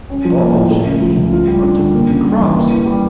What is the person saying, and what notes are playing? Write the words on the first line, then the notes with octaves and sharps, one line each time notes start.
The ball should be on top of the cross.
C#4
F3
A#3
A2
A3
C#3
F3
C#2
F4
G3
D4
D3
A#3
C#3
G3
E2
A#3
E3
G3